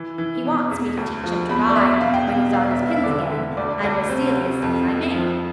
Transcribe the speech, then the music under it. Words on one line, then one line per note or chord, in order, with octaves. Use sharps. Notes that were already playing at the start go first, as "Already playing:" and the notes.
He wants me to teach him to ride when he's on his pins again, and Miss Celia says I may.
Already playing: E3
E3
B2
E2
D2
F3
E2 B5
D5
E2 E5
B2 F5
G5
B2 F5
E1 F5
E5
E1
F5
E5
D3 D5
E5
D3
D2 D5
D2 D5
C3 C5
C3
F2
F2
F3